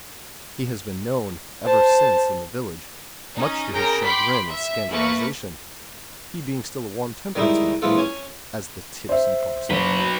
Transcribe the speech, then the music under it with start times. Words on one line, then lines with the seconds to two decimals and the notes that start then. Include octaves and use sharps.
He has been known, ever since, in the village, much to his chagrin and scandalization, he being still a warm temperance man, as the "tipsy parson."
1.64 C5 A5
3.34 C#4 D#4
3.73 C#3 A#4 G5 A#6
4.03 G5 B5 C6 D6 B6
4.47 E5
4.90 A3 A#3 B4 C#6
7.35 D#3 G3 G#3 D#4 E4
7.82 A#1 E3 G#3 F4 A4
7.98 C#4 G#5
9.09 C5 E5
9.71 F#1 F#3 B4